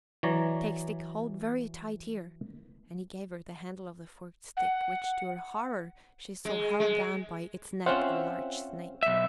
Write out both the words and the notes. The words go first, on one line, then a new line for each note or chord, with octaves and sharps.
"Take stick, hold very tight here," and he gave her the handle of the forked stick which, to her horror, she saw held down by its neck a large snake.
E3 F#3 C#5 D5 A#5
F#5
G#3
G#3
C4 C#4 F4 C5 E5 F#5
B1 E5